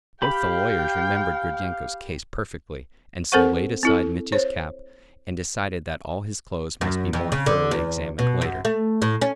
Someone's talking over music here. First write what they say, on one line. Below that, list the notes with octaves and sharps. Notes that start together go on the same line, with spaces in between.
Both the lawyers remembered Gridyenko's case perfectly, and so laid aside Mitya's cap, and decided that all his clothes must be more thoroughly examined later.
G4 F5 G5 B5
C4 A4 A#4 C5 F#5 C#6
C4 E4 A4
C5 C#5
F#2
F2
C#3
D3
E2
B2
F#2
A3
A2
C#4